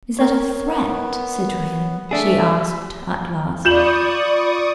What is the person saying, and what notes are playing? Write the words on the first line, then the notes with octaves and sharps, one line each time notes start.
"Is that a threat, citoyen?" she asked at last.
A#4 C#5
B3
A3 D4 G#4 E5
F4 D5 B5 C#6 D#6 G6 E7 F#7